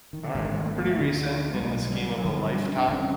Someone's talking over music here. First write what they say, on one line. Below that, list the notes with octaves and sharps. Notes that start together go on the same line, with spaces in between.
Alright, that's pretty recent in the scheme of a lifetime.
D#3
D3
G#1 G2 D3
G#3
A3
A#3
A3
D2 D3
G3
B1 B2 G#3
G3
G#3
G3
G3
F#3
G1 G2 D3 F3
G3
C#4
D4
G1 F2 C3 C#4